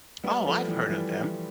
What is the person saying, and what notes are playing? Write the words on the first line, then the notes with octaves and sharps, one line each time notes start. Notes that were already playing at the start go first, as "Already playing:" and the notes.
Oh, I've heard of them.
G3 B3
F3 A3
E3 G3
E3 G3